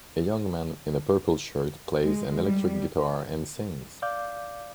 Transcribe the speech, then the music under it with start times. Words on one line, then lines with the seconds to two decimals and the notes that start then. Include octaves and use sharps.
A young man in a purple shirt plays an electric guitar and sings.
2.03 G#3
2.45 G3
4.02 D5 F5 D6 G6